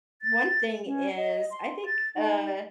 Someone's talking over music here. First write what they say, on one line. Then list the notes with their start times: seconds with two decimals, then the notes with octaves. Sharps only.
one thing is I think, uh,
0.22 A6
0.86 C#4
1.17 D#5
1.51 C6
1.85 A6
2.16 D#4